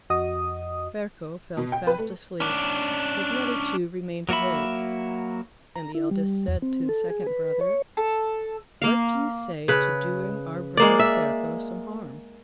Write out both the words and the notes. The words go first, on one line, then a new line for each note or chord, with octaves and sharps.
Ferko fell fast asleep, but the other two remained awake, and the eldest said to the second brother, 'What do you say to doing our brother Ferko some harm?
F2 F#4 D#5 D#6
B2
G5
B4
A3
C#4 D4
F#3 A#3 F#4 E5 B5
A#5
E4
G3
E2
C4
A4
G#4
B4
C#5
A4
A#3 F5
C#3 B4
G#3 A#3 D5
E5